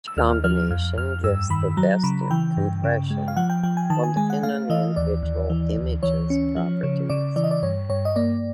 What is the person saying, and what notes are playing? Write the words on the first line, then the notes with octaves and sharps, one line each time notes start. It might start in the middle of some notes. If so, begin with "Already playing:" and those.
Which combination gives the best compression will depend on the individual image's properties.
E6
D#2 F6
F3 F6
F2 F6
F2 F6
G2 E6
D#3 B5
F#3 A#5
C#3 B5
E3 G5
G2
C#3
G#3
F5
F3 F#5
G5
F3 G5
G#5
D#3 A5
G#5
G#3 G#5
F#5
A3 F5
E3 D#5
D#2 D5
D#2
E3
D2
E3 C#5
C#4
F3
C#3
C#3 D5
E3 D5
D#5
D5
G2 C#5
G2 C#5
D#5
A#3 D5